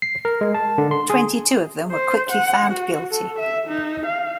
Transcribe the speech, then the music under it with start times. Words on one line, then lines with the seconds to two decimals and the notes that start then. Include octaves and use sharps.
Twenty-two of them were quickly found guilty.
0.02 C7
0.25 A#4
0.41 G#3
0.55 A5
0.78 D3
0.91 C6
1.10 G#4
1.91 C5
2.30 F#5
2.72 F#4
3.10 A4
3.39 E5
3.68 D#4
4.06 F5